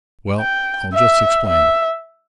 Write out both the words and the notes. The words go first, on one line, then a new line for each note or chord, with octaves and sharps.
Well, I'll just explain.
G5
E5
E5